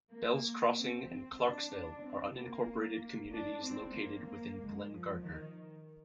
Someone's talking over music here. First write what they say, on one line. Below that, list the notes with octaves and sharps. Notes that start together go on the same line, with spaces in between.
Bells Crossing and Clarksville are unincorporated communities located within Glen Gardner.
A#3
C4
C4
D4
D4
C4
A#3
D4
C4
A#3
A#3
G#3
F3
D#3